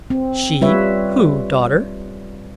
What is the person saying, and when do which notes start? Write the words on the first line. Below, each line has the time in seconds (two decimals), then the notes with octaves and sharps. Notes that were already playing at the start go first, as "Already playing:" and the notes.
"She? who, daughter?"
0.10 C4
0.61 G3 F4 B4 C#5 E5